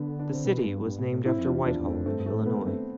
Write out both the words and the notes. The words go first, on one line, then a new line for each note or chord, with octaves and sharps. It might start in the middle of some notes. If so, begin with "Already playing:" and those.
The city was named after White Hall, Illinois.
Already playing: D3 B3
D4
C4
B2 B3
G2
G2
A2
A2
A2 C4 E4
F2
D4 F4
E2
E2 D4 F4
E2
A3 C4
F2
G2 A3 C4
G2
A3
A2
A3
B2 B3
A2
G2
A3 C4